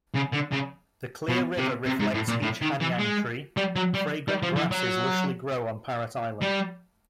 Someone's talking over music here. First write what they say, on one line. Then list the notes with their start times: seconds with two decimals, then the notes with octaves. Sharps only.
The clear river reflects each Hanyang tree, fragrant grasses lushly grow on Parrot Island.
0.15 C#3
0.33 D3
0.53 C#3
1.29 B2
1.57 C3
1.86 C3
1.99 G#2
2.14 A2
2.28 A#2
2.42 A2
2.62 D#3
2.81 E3
2.99 G#3
3.57 G3
3.76 F#3
3.94 G3
4.28 G3
4.43 F3
4.56 E3
4.71 F#3
6.42 G3